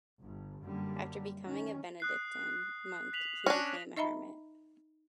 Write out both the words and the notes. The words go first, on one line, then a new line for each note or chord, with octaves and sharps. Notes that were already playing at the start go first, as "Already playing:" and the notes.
After becoming a Benedictine monk, he became a hermit.
G1 G2
F#2 D3 G3 A#3
D#3 C#4
D#6 F#6 C7
B6 F7 F#7
C#4 D4 A#6
D#4 D#5 E5 A#5 B5